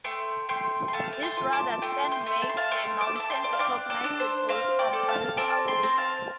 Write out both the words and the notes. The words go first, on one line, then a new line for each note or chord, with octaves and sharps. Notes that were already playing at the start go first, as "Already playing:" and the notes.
This radar stand makes the mountain recognizable from miles away.
A3 G5 C6
A3 G5 C6
C6
A3 F5 A5
A5
G5 C6
F4
A5 D6
A3 G5 C6
G5 C6
A3
A5
C6
F5 A5
A3 G5 C6
A5 D6
A4
A5
G5 C6
D5
F5
D4 D5 G5
A4 D5
D4
C5
C4 C5 F5
D5 G5
A4
F5 A5
C4 A5 D6
G5 C6
C4
F5 A5